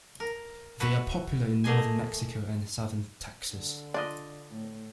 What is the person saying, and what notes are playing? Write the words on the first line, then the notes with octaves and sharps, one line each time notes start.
They are popular in northern Mexico and southern Texas.
A#4
E4 F#4 B4
A3 A#3 G#4 D#5 G#5
D3
D4 F4 D5 D#5
A2